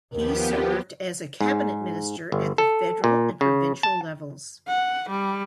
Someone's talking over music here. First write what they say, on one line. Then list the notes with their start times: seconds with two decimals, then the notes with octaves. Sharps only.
He served as a cabinet minister at the federal and provincial levels.
0.13 D#2 F3 B3 G4 A#4
1.41 G#2
2.32 G1
2.58 A4
3.04 A#2
3.41 C#3
3.83 A5
4.67 F#5
5.09 G3